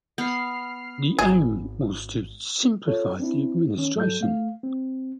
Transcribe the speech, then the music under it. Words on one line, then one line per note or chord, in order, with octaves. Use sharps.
The aim was to simplify the administration.
B3 F6 C7
G#1 G#4
F4 A4 C#5
C4 D4 E4
D#3 C#4
G#2 F#3 A4 G6
A3 F5
C4